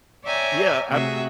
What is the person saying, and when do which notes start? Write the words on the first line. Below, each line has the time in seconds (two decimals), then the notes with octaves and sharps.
yeah, I
0.25 C#5 D5 E5 G5 G#5 A#5
0.90 C3 A3 F#4 G#4 E5